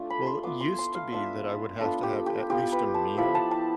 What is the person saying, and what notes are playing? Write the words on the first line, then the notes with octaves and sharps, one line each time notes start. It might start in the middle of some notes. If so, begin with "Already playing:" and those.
Well, it used to be that I would have to have at least a meal,
Already playing: A3 D4 F4
B5
C6
B3 F4 D6
C6
C6
F5
B3 D4 F4 E5
B3 D4 F4 A4
G4
G4
B3 F4 G4
B4
A5
F3 B3 E4 B5
A5
A5